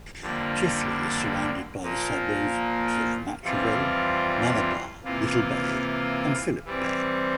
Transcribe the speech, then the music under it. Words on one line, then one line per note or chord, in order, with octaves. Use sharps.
Chifley is surrounded by the suburbs of Matraville, Malabar, Little Bay and Phillip Bay.
F2 D3 G3 A#3
A#2 F3 A#3
F2 E3 G3 C4 F4
C3 E3 A#3 F4
E3 G3 C4